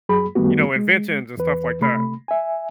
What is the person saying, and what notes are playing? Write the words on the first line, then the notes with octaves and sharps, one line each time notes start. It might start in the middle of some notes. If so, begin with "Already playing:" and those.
you know, inventions and stuff like that.
F#2 F#3 G#4 B5
F#2 D#3 G3 A3 B3 F#4
G#3
E2 E3 B4
C3 A3 B5
E5 G#5